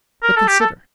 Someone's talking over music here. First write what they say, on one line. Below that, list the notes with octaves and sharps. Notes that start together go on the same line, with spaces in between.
But consider.
A#4
A4
G4
A4